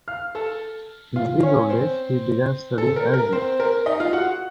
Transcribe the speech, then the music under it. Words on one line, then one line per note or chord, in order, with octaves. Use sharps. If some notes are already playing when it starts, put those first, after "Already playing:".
In his old age he began studying algae.
F5 F6
A4 A5
F4 F5
C#4 C#5
C4 C5
A4
A#4
A#4
C4 C5
A#4
D#4 D#5
F4 F5
F#4 F#5